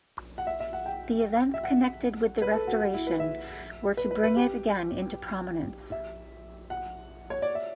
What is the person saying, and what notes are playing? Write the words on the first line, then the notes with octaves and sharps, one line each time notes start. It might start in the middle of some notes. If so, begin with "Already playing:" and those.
The events connected with the restoration were to bring it again into prominence.
F#5
E5
E5
F#5
G5
E5
F#5
B4
A4
F#4
F#4
E4
B4
E5
B4
B4
B4
G4
E5
F#5
C#5
D5
E5